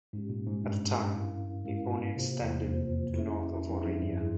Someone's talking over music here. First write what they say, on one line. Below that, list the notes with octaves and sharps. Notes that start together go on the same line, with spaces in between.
At the time, it only extended to north of Orillia.
G#2 G#3 C#4 G4
A#2
G#2
G2 G#3 C#4 G4
C#4 E4 A#4 F5
G#2 C#4 E4 A#4 F5
C3 A#3 F4 C5
E2
F2 A#3 F4 C5
C#4 E4 G#4 E5
F2 C#4 E4 G#4 E5
F2
G2
G3 C4 E4 G#4